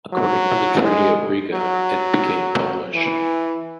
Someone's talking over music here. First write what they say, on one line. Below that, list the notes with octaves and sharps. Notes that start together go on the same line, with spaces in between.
According to the Treaty of Riga, it became Polish.
F#3
G#3
F#3
E3